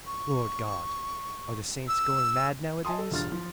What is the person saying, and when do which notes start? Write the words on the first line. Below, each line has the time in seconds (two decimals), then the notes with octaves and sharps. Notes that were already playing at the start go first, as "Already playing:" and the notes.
Lord God! Are the saints going mad nowadays?
0.07 C#6
1.88 E6
2.85 D#5 G#5 A5 C6 D#6
2.99 A4
3.11 E1 G2 F4 F6 A6
3.32 F3